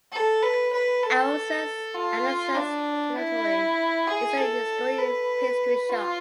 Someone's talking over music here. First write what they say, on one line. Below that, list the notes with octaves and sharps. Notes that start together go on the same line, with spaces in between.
Elsa Andersons Konditori is a historic pastry shop.
A4
B4
B4
A4
F4
D4
E4
G#4
A4
B4
F4